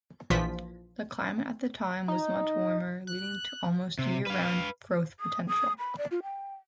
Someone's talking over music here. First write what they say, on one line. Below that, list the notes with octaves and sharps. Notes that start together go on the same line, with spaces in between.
The climate at the time was much warmer, leading to almost year-round growth potential.
A#1 A#2 E3 F3 F4 B6
D#4
F#6
C3
B4 F5
D#6
D#6
B5
D5
F4
G5